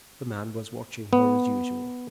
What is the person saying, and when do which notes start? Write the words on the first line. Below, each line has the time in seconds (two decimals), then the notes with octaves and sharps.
The man was watching her as usual.
1.13 B3